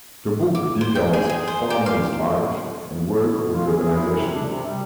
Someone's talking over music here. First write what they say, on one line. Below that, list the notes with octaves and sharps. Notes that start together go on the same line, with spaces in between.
The book details Farmer's life and work with the organization.
D6
C5
G5
G#4
G#4
C5
G4
F5
B2
F4
G#4
G#4
E4
C3
D4
C3
G3